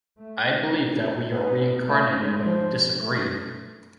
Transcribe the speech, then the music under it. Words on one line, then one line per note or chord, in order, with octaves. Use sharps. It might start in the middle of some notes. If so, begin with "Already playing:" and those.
I believe that we are reincarnated but you disagree.
A3
B3
A3
G#3
F3
A3